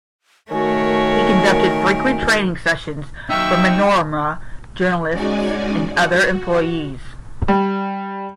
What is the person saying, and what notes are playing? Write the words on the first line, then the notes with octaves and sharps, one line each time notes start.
He conducted frequent training sessions for "Manorama" journalists and other employees.
D#3 A3 F#4 A#4 C#5 G#5
F#3 D#4 E5 F5 G5 C#6 E6
G#3 C#4 D#4 F#4 D5 G#5
F#4
G3